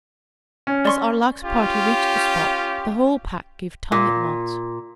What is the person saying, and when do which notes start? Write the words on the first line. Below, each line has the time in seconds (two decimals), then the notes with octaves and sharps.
As Arlac's party reached the spot, the whole pack gave tongue at once.
0.67 C#4
0.85 D5 C6 C#6
1.43 C#4 F4 G4
3.92 A#2